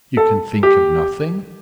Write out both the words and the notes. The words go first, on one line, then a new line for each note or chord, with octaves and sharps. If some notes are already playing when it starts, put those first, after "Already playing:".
You can think of nothing?
A4
G4